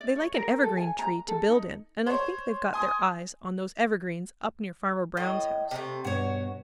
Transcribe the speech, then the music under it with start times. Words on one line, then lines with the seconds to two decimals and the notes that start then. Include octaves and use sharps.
They like an evergreen tree to build in, and I think they've got their eyes on those evergreens up near Farmer Brown's house.
0.01 D5
0.16 C#5
0.34 A#4
0.63 A4
0.77 G#5
0.99 A#5
1.28 A4
1.49 D#4
2.06 C5 C#5
2.74 G#5 C6 D#6
5.17 A2 D#5
5.71 C3 A3
6.04 G2 B2 F#4 C#5